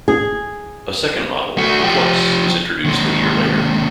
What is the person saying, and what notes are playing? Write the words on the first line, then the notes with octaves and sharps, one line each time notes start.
A second model, the "Plus", was introduced a year later.
G#4
A3 F#4
F3 G4
D#2 G#3